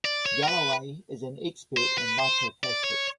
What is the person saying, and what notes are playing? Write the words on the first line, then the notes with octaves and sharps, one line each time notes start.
Galloway is an expert in microplastics.
D5
C#5
A#4
B4
C5
B4
C5
D5
C#5